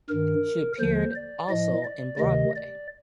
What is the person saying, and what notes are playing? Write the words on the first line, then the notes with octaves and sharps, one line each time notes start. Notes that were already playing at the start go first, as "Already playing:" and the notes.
She appeared also in Broadway.
G2 D#3 A#4
D#2 D3 F3 C5
D5
A2 F3 D#5
D5
D2 C3 D#3 D#5
D5